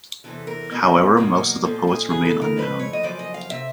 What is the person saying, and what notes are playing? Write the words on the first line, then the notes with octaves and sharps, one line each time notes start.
However, most of the poets remain unknown.
E2 C3 E3 A4
A#4
B2 G#3 B3
E2 B2 F#3 A#3
A#2 F3 G#3 A4
G#4
E2 C#3 E3 G#4
A4
A#4
F2 C#3 F3 A3 B4
C#5
D#5
F#2 C#3 F3 D5
D#5
F5
C3 E5